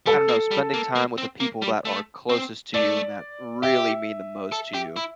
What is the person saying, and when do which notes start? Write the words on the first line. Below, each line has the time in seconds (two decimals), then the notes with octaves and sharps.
I don't know, spending time with the people that are closest to you, and that really mean the most to you,
0.06 G3 A4
0.28 A#3
0.51 G3
0.74 A#3
0.95 A#3
1.18 C4
1.40 A#3
1.62 G3
1.85 A3
2.29 C4
2.74 A3 D5
3.62 G4 E5
4.52 A4
4.74 G4
4.96 E4